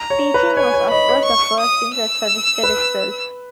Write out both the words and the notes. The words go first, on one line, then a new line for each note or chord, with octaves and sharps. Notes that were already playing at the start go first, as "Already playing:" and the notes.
Teaching was, of course, the first thing that suggested itself.
Already playing: A#5
C#5
B4
C#5 G#5
C#5
D#5 B5
C#5
C#6
D#6
E6
B4